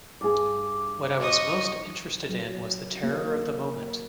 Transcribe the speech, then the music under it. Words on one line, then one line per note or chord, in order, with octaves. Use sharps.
What I was most interested in was the terror of the moment...
G2 G#4 D6
D#5 C#6 D#6
F#3
A#3